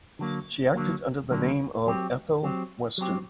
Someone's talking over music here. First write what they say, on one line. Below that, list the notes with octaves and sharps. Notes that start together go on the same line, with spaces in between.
She acted under the name of Ethel Western.
D3 F#3 A#3
D3 F#3 A#3
D3 F#3 A#3
F#3 C4 G4
F#3 C4 G4
F#3 C4 G4